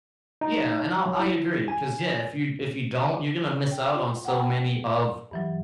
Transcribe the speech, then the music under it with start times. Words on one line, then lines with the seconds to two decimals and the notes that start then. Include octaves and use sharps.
Yeah, and I'll I agree 'cause, yeah, if you if you don't, you're gonna miss out on so many of
0.41 D#4
1.06 F#3
1.19 E4
1.68 G#5
3.71 G5
3.94 F4
4.25 F#5 G5 A#5
5.31 G2 E3 F#3